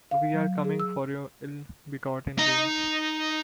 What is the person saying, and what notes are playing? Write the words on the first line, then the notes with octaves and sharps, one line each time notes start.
We are coming for your ill-begotten gains.
F5
F#3
G#4
E6
D#4 A#5